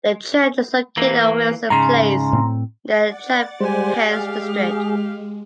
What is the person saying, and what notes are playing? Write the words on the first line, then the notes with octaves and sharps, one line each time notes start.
The church is located at Wilson place, in the Charpennes district.
E3 A#3
G#2 C#3 A#5 C6
A2 C4
D5 F#5 A6
G3 G#3 G4 C5 G#5
G#3 G4 G#4 F5